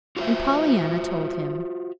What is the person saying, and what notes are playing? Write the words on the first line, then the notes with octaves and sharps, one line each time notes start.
And Pollyanna told him.
F4 F#4 B4 C5 E5